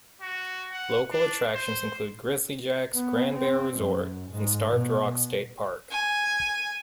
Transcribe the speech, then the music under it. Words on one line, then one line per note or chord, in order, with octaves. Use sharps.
Local attractions include Grizzly Jack's Grand Bear Resort and Starved Rock State Park.
F#4
F#5
D4
C5
B3
C4
F#2
G#2
B2
G#5